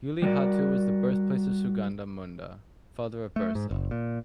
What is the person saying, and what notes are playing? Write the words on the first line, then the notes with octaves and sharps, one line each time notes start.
Ulihatu was the birthplace of Sugana Munda, father of Birsa.
G3 F#4 A#4 D5
A3
G#2
F#1
A#2